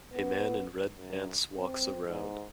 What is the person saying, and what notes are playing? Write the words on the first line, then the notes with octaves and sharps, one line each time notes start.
A man in red pants walks around.
B3
F#2
C4
G#2